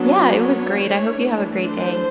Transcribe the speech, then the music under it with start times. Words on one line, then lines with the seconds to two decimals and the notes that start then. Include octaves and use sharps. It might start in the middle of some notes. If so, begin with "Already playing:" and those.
Yeah, it was great. I hope you have a great day.
Already playing: F#3 B3 D4
0.08 C#5
0.88 E3 A3 D4
1.67 C5